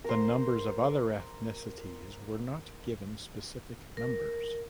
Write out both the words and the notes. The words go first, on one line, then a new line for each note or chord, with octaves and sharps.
The numbers of other ethnicities were not given specific numbers.
A#4 C5
A#4